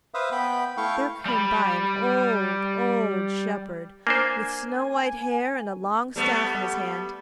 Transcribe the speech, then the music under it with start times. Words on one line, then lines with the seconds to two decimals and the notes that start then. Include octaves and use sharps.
There came by an old, old shepherd, with snow-white hair and a long staff in his hand.
0.14 B4 C5 E5 F5 D#6
0.32 B3 G5 B5
0.77 A3 E4 F5 G5 C#6
1.25 G3 B5
4.07 A#3 D4 C5 G#5
6.16 G3 A3 B3